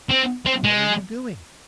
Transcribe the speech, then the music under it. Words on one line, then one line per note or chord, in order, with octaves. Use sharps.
What are you doing?'
C4
C4
G#3